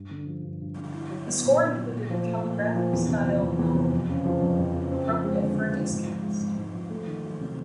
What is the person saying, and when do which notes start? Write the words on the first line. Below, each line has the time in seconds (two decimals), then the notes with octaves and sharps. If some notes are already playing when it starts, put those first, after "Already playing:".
The score included a telegraphic-style melody appropriate for a newscast.
Already playing: G2
0.11 D3
0.27 F3
0.44 G2
0.61 G2
0.77 D3
0.94 E4
1.11 F#3
1.27 B3
1.43 A#2
1.59 E4
1.76 F#3
1.92 A#2
2.10 F3
2.26 A3
2.43 A#2
2.60 A#2
2.75 F3
2.93 E2
3.09 C3
3.25 F3
3.42 E2
3.59 E2
3.75 C3
3.92 F2
4.09 C#3
4.26 F3
4.42 F2
4.59 F2
4.75 C#3
4.91 C4
5.09 F3
5.24 G#3
5.41 D3
5.59 C4
5.75 F3
5.91 G#2
6.08 F3
6.24 G#3
6.40 G#2
6.57 G#2
6.74 F3
6.90 A3
7.08 D#3
7.24 F#3
7.41 C3